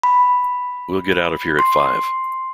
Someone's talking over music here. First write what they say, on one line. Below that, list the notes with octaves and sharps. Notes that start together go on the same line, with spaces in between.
We'll get out of here at five.
B5
C6